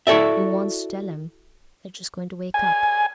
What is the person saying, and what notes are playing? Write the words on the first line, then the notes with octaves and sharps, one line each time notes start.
You wants to tell 'em they're just going to wake up.
E4 F#4 A4 D5 E5
G#5